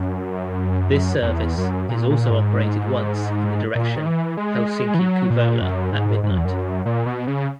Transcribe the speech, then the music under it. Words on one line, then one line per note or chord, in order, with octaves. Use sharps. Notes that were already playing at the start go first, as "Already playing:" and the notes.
This service is also operated once in the direction Helsinki–Kouvola at midnight.
Already playing: F#2
F#2
E2
F#2
A#2
A#2
G#2
A#2
D#3
E3
G#3
E3
F#3
A#2
F#2
G#2
G#2
F#2
E2
F#2
A#2
B2
C#3